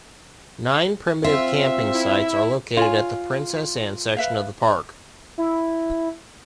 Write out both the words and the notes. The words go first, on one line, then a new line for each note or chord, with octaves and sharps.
Nine primitive camping sites are located at the Princess Ann section of the park.
C4 F4 E5
E4
F4 C#5 G#5
B4 E5 F5
E4